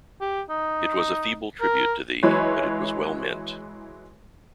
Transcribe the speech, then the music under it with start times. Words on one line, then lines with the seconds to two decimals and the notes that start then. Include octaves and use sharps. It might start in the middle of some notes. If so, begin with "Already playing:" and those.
It was a feeble tribute to thee, but it was well meant.
0.21 G4
0.49 D#4
1.61 A#4
2.23 E3 F#3 G#3 E4 B4 C#5